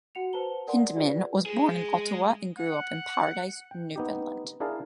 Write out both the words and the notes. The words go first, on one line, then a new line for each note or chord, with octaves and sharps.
Hyndman was born in Ottawa and grew up in Paradise, Newfoundland.
F#4 F#5 C#7 F7
B4 C5 A5 A#5 G7
A#4 D5 F#5 G#5 C6
F4 G4 G#4 B4 D5
G#3 G#4
F#5
G5
B3 D#4 G4
D4 E4 G#4 A#4 F5 A5